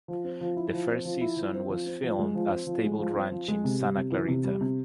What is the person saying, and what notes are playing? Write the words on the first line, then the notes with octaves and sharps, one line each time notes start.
The first season was filmed at Sable Ranch in Santa Clarita.
F3
C4
F3
E4
F3
C4
F3
E4
F3
C4
F3
C4
F3
G#3
F3
C4
F3
G#3
F3
C4
F3
G#3
C3
G3
C3
E3
C3
G3
C3